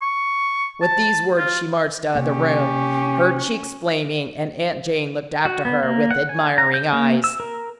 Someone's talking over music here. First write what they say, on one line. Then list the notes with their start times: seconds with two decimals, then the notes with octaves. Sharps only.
With these words she marched out of the room, her cheeks flaming, and Aunt Jane looked after her with admiring eyes.
0.02 C#6
0.82 A5
1.38 F4
2.15 C3 A#3 C#4 G4
5.45 F#4
5.65 B3
5.83 A#3
6.11 F#5
6.29 G#5
6.58 A#5
6.74 G6
6.93 A#3
7.24 E6
7.40 A#4